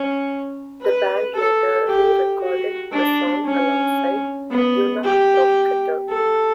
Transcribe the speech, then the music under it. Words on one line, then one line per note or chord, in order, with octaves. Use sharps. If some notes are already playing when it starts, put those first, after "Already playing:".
The band later re-recorded the song alongside "Eunuch Provocateur".
Already playing: C#4
B4
A4
G4
F#4
D4
C#4
B3
G4
A4